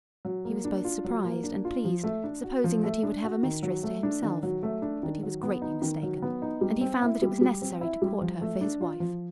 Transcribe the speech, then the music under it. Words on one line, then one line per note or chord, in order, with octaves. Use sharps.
He was both surprised and pleased, supposing that he would have a mistress to himself; but he was greatly mistaken, and he found that it was necessary to court her for his wife.
F#3
A#3
D4
F4
F#3
A#3
D4
F4
F3
A3
D4
F#4
F3
A3
D4
F#4
D#3
F#3
A3
D4
D#3
F#3
A3
D4
D#3
F#3
B3
D#4
D#3
F#3
B3
D#4
G3
C4
E4
G3
G3
C4
E4
G3
F3
A3
D4
F4
F3